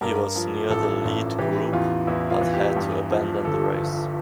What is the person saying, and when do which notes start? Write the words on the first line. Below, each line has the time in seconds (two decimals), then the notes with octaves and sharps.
He was near the lead group but had to abandon the race.
0.01 G2 A#4
0.36 F3
0.70 A1 A4
1.05 A1
1.38 E3 G4
1.73 E2 F4
2.07 E2 E4
2.30 F4
2.41 E3
2.54 G4
2.76 G2
3.11 F3
3.45 G1 A4
3.79 G1